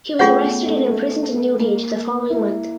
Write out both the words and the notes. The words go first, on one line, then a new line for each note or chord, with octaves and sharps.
He was arrested and imprisoned in Newgate the following month.
A3 C#4 F4 G#4 C#5 F#5
B3
A3
A3
A#3
E4